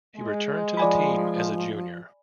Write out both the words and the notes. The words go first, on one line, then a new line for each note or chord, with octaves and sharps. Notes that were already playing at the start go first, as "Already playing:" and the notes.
He returned to the team as a junior.
G#3
F3 D5 G#5 B5